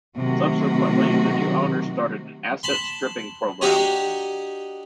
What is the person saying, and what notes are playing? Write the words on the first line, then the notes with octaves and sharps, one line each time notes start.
Subsequently the new owners started an asset-stripping programme.
C3 D#3 F#3 A3 F#4
A5 B5 C6
D4 D#4 F#4 G4 C#5 D#5